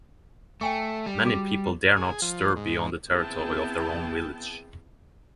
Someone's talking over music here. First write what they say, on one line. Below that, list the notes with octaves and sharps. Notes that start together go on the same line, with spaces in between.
Many people dare not stir beyond the territory of their own village.
A3 G5 G#5 C#6
G3
F#4 G#4 D6
G#4
F3
G#2
B3 C4 E4 G#4 G5 A5